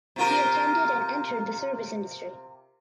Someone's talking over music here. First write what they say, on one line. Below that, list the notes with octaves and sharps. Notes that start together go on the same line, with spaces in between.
He attended and entered the service industry.
C3 F4 A#4